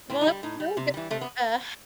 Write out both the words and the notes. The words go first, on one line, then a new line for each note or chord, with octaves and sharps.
Well, it was really good, uh,
A2 C4
D#4
G3
A2 D#4
G3
C3
E3 G3
C3 A3
B3